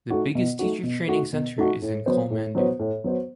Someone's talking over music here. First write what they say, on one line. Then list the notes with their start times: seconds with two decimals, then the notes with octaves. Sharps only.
The biggest Teacher Training Center is in Komandoo.
0.10 A3 D#4 F#4
0.35 B2
0.59 A3 D#4 F#4
0.83 B2
1.08 A3 D#4 F#4
1.33 B2
1.58 A3 D#4 F#4
1.82 A2
2.06 F#3 B3 F#4 C5
2.31 A2
2.55 F#3 B3 F#4 C5
2.79 A2
3.04 F#3 B3 F#4 C5